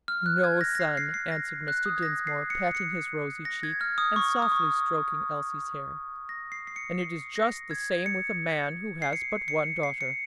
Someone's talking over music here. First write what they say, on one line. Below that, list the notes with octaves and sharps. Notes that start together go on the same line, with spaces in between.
"No, son," answered Mr. Dinsmore, patting his rosy cheek, and softly stroking Elsie's hair, "and it is just the same with a man who has but one daughter."
F6
F#6
G#6
A#6
A#6
C7
C7
C7
A#6
F#6
D#6
G#6
A#6
C7
C#7
C#7
A#6
G#6
F6
D#6
C#6
D#6
C#6
A#6
C7
C7
C#7
C7
A#6
G#6
C#7
C7
C#7
C#7
C7
C#7